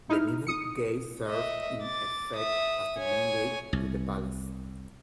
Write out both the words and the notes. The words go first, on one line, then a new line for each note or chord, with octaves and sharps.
The Mibu Gate served in effect as the main gate to the palace.
D#4 E4 F6
D#6 C#7
D#5 E5
D6 A6
E5 D#6
C#5 G#5
C2